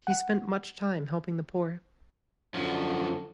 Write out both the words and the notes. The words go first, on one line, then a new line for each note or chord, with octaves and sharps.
He spent much time helping the poor.
F#5
F#2 D3 F3 D4